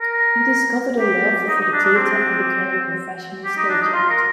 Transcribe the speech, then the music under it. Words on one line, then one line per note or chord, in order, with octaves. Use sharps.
He discovered a love for the theater and became a professional stage actor.
A#4
G4
D#4
D#4
D4
D4
C4
G4
D#4
D4
D#4
F4
A#4